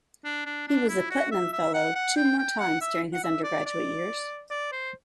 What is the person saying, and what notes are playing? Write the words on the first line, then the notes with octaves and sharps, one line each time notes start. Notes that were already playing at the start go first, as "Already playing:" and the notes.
He was a Putnam Fellow two more times during his undergraduate years.
D4
D4
D4
E4
F#4
E5
E5
F#5
F#5
G5
G5
F#5
E5
F#5
E5
D5
D5
D5
C5